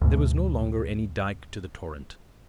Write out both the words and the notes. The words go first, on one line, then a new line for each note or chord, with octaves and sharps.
There was no longer any dike to the torrent.
D2 G#2 B2